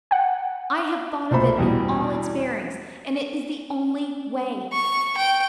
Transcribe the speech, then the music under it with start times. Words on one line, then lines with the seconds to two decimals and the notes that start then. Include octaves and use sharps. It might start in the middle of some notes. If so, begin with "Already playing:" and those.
I have thought of it in all its bearings, and it is the only way.
0.11 F#5 G5
1.31 B1 A#2 A3 C5 B5
1.57 E2 B2 G3
4.72 C#6
5.17 G5